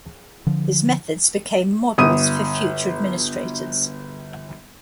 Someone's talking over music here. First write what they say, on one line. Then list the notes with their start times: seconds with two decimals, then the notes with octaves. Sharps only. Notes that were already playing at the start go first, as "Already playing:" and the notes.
His methods became models for future administrators.
0.47 D3 F3
1.98 G1 D#6 D#7